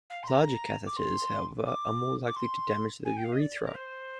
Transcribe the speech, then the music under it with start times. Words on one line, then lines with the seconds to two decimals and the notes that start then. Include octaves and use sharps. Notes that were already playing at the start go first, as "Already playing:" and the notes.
Larger catheters, however, are more likely to damage the urethra.
0.10 F5
0.23 C6
0.27 A#5
0.86 D6
0.96 C6
1.66 D6
2.27 D6
2.36 C6
3.04 G#5
3.16 G5
3.24 F5
3.32 D#5
3.40 D5
3.64 A#4
3.74 C5